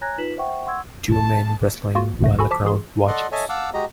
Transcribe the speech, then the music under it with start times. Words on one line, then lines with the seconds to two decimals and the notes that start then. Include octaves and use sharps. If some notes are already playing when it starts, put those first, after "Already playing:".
Two men wrestling while a crowd watches.
0.01 C#5 G#5 A#5 F#6 G#6 A#6
0.18 D#4 F4 B4 B6 E7 F#7
0.37 C5 E5 F#5 G5 C#6
0.66 F#5 C6 C#6 E6 G#6
1.11 A5
1.95 A#3 F4 F#4
2.22 D2 A3 A#6
2.39 F#4 A4 G#5 B5
2.51 F3 A5 D6 B6
2.65 E3 G#4 C6
3.07 A4 D5 D#5 F#5 C6
3.32 A4 C#5 D#5 E5 G#5 A5
3.49 F5 F#5 A5 D6 E6
3.74 G#3 F#4 G4 D#5 A#5